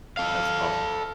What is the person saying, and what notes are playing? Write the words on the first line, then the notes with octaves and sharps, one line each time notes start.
That's awesome
A4 F5